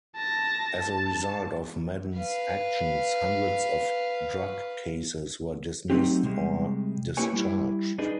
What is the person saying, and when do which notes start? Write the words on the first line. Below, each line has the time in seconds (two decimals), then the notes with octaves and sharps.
As a result of Madden's actions, hundreds of drug cases were dismissed or discharged.
0.16 A5 A#6
0.78 A5
2.16 B4 F5
5.90 F#3 A3 C4 D#4 G4
6.23 C3 G3 G#3
7.17 A#3 E4 G4 B4 C#5 G#5
7.33 G3 E4
7.98 D4 D#4 G#4 B4 D#5